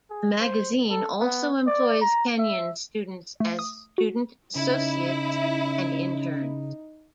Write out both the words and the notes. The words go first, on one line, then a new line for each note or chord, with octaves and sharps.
The magazine also employs Kenyon students as student associates and interns.
G#4
C5
A4
B3
D5
A#5
E5
A3
D#6
F#4
C#3 C#4 D#4 E4